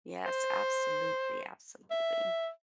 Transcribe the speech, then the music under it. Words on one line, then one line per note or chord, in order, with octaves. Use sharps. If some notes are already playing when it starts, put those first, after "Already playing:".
Yes, absolutely, absolutely.
C5
E5